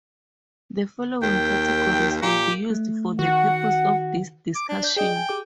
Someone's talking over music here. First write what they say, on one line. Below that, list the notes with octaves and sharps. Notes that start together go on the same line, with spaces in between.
The following categories will be used for the purposes of this discussion.
D#2 G5
A#2 G4
A3
D#3 F#4 F#5
D6
D4
D5 G6
G#4 D5 D#5 G5
G#5
G4 G#4 D6